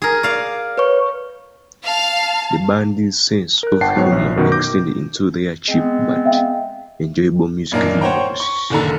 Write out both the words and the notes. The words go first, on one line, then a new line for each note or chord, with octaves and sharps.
The band's sense of humour extended into their cheap but enjoyable music videos.
G#4 A#4
D5 F5
B4 C#5 C#6
F5 A5
A#4 F#6
G1 F#5 G5 A5 C7
G#2 F#3 B3 F#4 C#5 F#6
A#1
F#2 B2 D#3
D6 G6 A#6
G#3 B3 C4
E5 F5 G5
F#2 A#2 A#3 D4 D#4 A#4
C5 C#5 F#5 G5 A#5
C#6
F#1 A#2 D3 D#3 A4 A#5